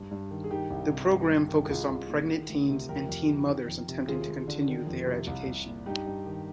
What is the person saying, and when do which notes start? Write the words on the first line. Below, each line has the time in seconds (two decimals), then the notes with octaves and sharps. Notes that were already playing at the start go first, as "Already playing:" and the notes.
The program focused on pregnant teens and teen mothers, attempting to continue their education.
Already playing: G2
0.11 G2
0.31 D#3
0.44 G#4
0.50 D#3 D#4 G4
0.70 C2
0.90 C3
1.11 G2
1.30 G2
1.49 D#3
1.69 C2 F4 G#4
1.89 C2
2.09 A#2
2.29 D#3
2.49 D2
2.69 C3
2.89 F2 G4 A#4
3.09 F2
3.29 D#3
3.48 D#3
3.68 F2
3.88 C3
4.08 D#2 F4 G#4
4.28 D#2
4.48 D3
4.68 D#3
4.87 F2
5.07 C3
5.27 C2
5.46 C2
5.66 A#2
5.86 G2 D#4 G4
6.06 G2
6.26 D#3